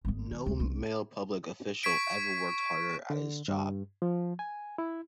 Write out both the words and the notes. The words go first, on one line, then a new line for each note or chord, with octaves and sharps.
No male public official ever worked harder at his job.
G#1 B3
D#3
D2
C2
C#6 G#6 B6 D7
D3
G2
F3
G#5
E4